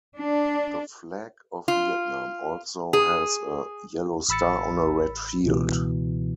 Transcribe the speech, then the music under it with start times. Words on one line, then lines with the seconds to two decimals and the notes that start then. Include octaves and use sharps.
The flag of Vietnam also has a yellow star on a red field.
0.17 D4
1.68 F4
2.93 G#4
4.29 A1 B5 E6 A6 C#7
5.44 C#2 B2 E3